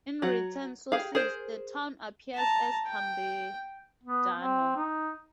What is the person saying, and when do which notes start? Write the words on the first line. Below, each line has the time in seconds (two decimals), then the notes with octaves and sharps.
In written sources, the town appears as "Cambidano".
0.22 F#3 F#4
0.92 G4 G#4 F5
1.15 G#4 A#4 C5
2.36 A5 A#5
2.87 G5
4.03 B3
4.36 C4
4.76 D#4